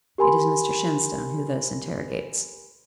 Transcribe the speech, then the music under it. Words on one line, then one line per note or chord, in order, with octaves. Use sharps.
It is Mr Shenstone who thus interrogates.
G4 A#4 G#5 B5 C6